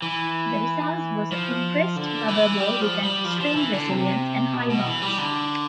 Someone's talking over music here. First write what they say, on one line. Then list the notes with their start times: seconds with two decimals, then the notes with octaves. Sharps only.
The result was a compressed rubber ball with an extreme resilience and high bounce.
0.02 E3
1.32 F3
1.96 D3
2.28 E3
2.60 G3
2.81 F3
3.03 G3
3.25 F3
3.40 F3
3.56 E3
3.73 D3
3.90 C3
4.53 B2
4.70 B2
4.86 E3
5.02 G3
5.18 D3